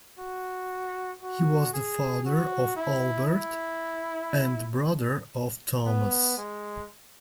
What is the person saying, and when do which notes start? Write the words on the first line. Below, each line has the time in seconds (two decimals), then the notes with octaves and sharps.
He was the father of Albert and brother of Thomas.
0.19 F#4
1.23 F#4
1.73 G#4
2.26 F#4
2.77 E4
3.28 E4
5.87 B3
6.37 G#3